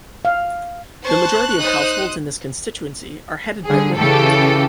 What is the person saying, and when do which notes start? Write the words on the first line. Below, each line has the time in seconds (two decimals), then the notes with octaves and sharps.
The majority of households in this constituency are headed by women.
0.25 F5
1.04 C5 A5 C#6 F#6
1.58 D#4 C5 D#6
3.66 D3 G3 G#4
3.97 C#3 E3 G4 A4